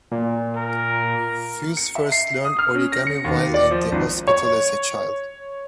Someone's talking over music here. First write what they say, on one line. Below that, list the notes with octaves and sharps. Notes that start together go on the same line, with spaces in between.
Fuse first learned origami while in the hospital as a child.
A#2
A#4
C#7
E5
C7
D#6
F6
C#4
A#6
C#7
D#2
D5
F3
G#1
C#5